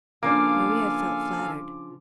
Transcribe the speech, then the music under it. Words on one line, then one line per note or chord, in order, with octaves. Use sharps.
Maria felt flattered.
C#3 F3 A#3 D4 A4 F5 G#5 D6